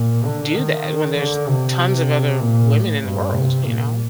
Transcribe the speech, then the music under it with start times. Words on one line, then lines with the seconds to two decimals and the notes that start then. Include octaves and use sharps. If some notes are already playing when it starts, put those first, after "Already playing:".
do that when there's tons of other women in the world, you know?
Already playing: A#2
0.24 D3
0.54 D#3
1.17 D3
1.47 C3
2.39 A#2
2.71 A2
3.02 G2
3.33 C3
3.64 A#2